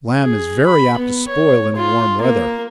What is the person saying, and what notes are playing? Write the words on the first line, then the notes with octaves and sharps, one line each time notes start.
Lamb is very apt to spoil in warm weather.
G#4
B5
B3
C#5
F4
A#3